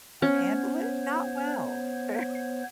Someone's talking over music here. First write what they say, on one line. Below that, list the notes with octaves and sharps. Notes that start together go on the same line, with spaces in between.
handle it? Not well, very,
B3 C#4 C5 C#5